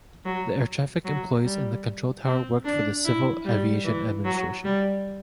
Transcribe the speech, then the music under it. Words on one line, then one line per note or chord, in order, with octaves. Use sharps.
The air traffic employees in the control tower worked for the Civil Aviation Administration.
F#3
F#3
G3
C4
D4
E4
G3
E3
F#3
G3